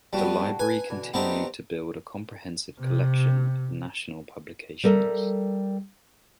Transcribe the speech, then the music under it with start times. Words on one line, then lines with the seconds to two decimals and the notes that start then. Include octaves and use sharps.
The Library continued to build a comprehensive collection of national publications.
0.13 G3 B3 D4 F#4 G4
0.59 B4 G#5
0.90 B2 D3 E3
1.14 G3 A3 B3 C4 D#4 G4
2.80 C3
4.83 G3 A4 A#4 E5